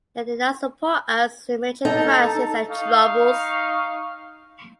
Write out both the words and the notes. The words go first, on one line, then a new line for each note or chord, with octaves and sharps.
They did not support us in major crises and troubles.
D#4 A4
D#4 F5 C#6